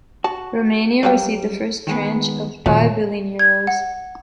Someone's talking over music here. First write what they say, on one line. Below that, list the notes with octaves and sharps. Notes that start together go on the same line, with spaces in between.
Romania received the first tranche of five billion euros.
F#4 A5
F#2 F#3 G3 A#3 G5
D#3 G#3 B3
D#1 A#2 C#3 F3 F#3 A3
G#6
F#5